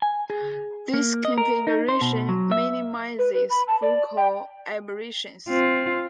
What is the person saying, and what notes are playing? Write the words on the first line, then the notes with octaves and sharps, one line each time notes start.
This configuration minimises focal aberrations.
G#5
G#4
A#3
D#5
A#4
D#4
C5
B2
F#3
E5
B4
B4
B5
A5
D5
G5
C4 F4